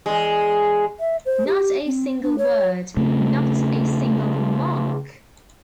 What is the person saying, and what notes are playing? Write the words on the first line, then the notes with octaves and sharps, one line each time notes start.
Not a single word, not a single remark!
E2 G#3
E5
C5
G4
C4
D4
C#5
C#3 A3 C4